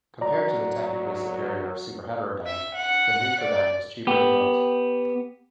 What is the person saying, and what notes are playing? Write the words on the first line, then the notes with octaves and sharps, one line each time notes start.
Compared to the technically superior superheterodyne the Neutrodyne was cheaper to build.
F#3 D5 A#5
E5
F#5
D5
B3 G4